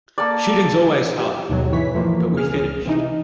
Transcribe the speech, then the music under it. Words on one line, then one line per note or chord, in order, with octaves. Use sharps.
Shooting's always hard, but we finished.
A#3 A4 D5
G4
D#2 G#2 B2 F#3
E3 B4 C#5 B6
F2 E3 F3 A#3
C#2 G#4 F6
C3 E3 D#4